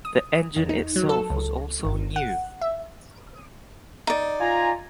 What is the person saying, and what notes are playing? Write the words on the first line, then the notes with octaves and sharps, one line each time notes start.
The engine itself was also new.
D#6
E2
D#4
F#3
A4
C#2
G1
F#5
E5
D#4 D5
F4 G#5 A#5